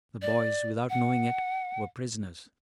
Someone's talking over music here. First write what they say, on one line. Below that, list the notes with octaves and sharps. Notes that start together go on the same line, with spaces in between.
The boys, without knowing it, were prisoners.
D5
F#5